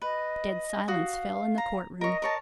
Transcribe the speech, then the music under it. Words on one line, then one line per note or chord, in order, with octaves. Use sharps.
Dead silence fell in the court-room.
B4 D#5
F#4 F5 D#6
A#5
A#4 C#5 D#5
A#4 C#5 A5